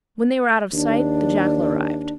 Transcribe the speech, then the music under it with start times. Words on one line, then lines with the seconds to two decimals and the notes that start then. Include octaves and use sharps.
When they were out of sight the jackal arrived.
0.73 D#2 D4